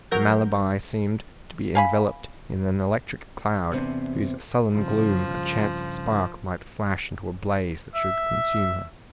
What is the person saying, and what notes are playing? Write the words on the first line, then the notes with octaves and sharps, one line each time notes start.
The Malabar seemed to be enveloped in an electric cloud, whose sullen gloom a chance spark might flash into a blaze that should consume her.
F#3 A#4 G6
F5 G#5 B5
E2 C3 B3 C4 D4
G2 A#2 C#3 F3
E5